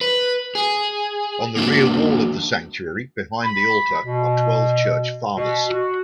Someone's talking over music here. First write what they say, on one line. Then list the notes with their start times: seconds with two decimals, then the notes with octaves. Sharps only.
On the rear wall of the sanctuary, behind the altar, are Twelve Church Fathers.
0.01 B4
0.55 G#4
1.57 A#3 D4 F#4
3.44 B5
4.05 B2
5.36 B2
5.70 F#4